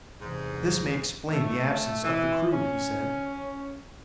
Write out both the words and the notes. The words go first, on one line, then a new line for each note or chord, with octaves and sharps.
"This may explain the absence of the crew," he said.
E2 G#2 C3
A3
E3
C#4